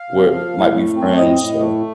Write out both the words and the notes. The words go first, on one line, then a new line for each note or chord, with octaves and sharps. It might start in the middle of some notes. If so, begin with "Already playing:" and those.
where might be friends, so,
Already playing: F5
C3
F3
A2
A3
C4
A2 D#5
A2
A3